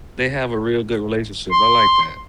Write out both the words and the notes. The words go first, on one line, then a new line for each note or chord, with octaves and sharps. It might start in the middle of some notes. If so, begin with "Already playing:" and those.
they have a real good relationship. I like that.
C6